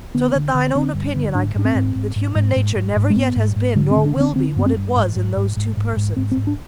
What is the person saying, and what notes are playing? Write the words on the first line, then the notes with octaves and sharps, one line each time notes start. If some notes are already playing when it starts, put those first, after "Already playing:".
So that thine own opinion I commend, That human nature never yet has been, Nor will be, what it was in those two persons.
D3 B3
D3
D3
D3 C4
G2
D3
G#2 D4
G#2 D4
C4
G#2
G#2
G#2
G#2
G#2
G#2
G#2
G#3
G#2 B3
G#2
G#2
D3 G#3
C4
D3
D4
D3 C4
D3 C4
G2 B3
C4
G2
G#2
G#2
G#2
G#2
G#2
G#2
G#2 C4
C4
G#2
D4